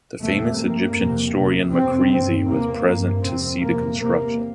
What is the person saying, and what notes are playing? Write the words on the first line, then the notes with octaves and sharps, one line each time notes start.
The famous Egyptian historian Maqrizi was present to see the construction.
E2 C3 A3
G2 A#3
F2 C3
E2 C3
F2 C3 C4
G2 C4
E2 C3 A#3
G2
F2 C3 C4
F2 C3 A#3
E2 C3 A#3